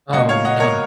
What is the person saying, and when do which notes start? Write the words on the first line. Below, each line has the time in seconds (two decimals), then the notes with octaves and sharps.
Oh, no.
0.13 C#2 B2 A#3 D#5 F#5
0.29 C#5 F5
0.45 D#5 F#5
0.60 A#4 C#5